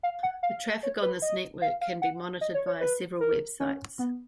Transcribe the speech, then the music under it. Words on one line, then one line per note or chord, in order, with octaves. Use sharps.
The traffic on this network can be monitored via several websites.
F5
F#5
F5
C#5
B4
D#5
F5
F5
F#5
D#5
C#5
C#5
B4
A#4
C#4
B3